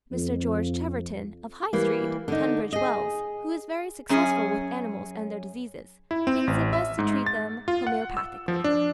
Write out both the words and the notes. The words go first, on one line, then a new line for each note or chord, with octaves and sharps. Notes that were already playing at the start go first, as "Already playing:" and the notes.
Mr. George Cheverton, of High Street, Tunbridge Wells, who is very successful with animals and their diseases, thinks it best to treat them homoeopathically.
F2
E3 G3 A#3
D3 D#4
G#4 D#5
F#2 C#4 G#4
E4
C4
A1
E5
G#2
A6
F4
F#5
E6
F3
D4